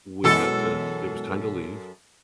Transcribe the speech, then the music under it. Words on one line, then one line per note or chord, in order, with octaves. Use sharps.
we had to it was time to leave,
F#2 B2 E3 G#3 A4